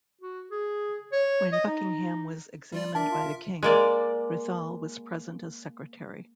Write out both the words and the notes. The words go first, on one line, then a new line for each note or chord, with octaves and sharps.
When Buckingham was examined by the king, Ruthall was present as secretary.
F#4
G#4
C#5
D#5
D#4
G3 F4 D5
D4 A#4 E5 A5
F4
G#3 A#3 D5